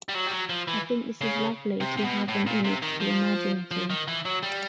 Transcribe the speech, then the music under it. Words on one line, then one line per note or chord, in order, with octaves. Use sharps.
I think this is lovely to have an image to imagine it all.
G3
F#3
G3
F#3
F3
E3
C#3
C3
C3
B2
A2
A#2
C3
D#3
F3
F3
D#3
E3
F#3
G3